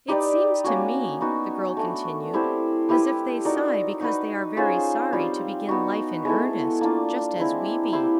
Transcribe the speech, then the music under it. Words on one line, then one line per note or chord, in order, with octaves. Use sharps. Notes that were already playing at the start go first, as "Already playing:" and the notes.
"It seems to me," the girl continued, "as if they sigh because they are very sorry to begin life in earnest--just as we be."
D#4 G4 B4 D5
A#3 C#4 F#4
B3 D#4 F#4
A3 D4 F#4
C4 E4 G4 C5
C4 E4 G4 B4
D#4 F#4 A#4 D5
D#4 F#4 B4
C#4 F4 G#4 C5
G3 C4 F4
B3 D#4 F#4
G#3 B3 E4 A4
A#3 D4 F4
G#3 C4 E4
C4 E4 G4 C5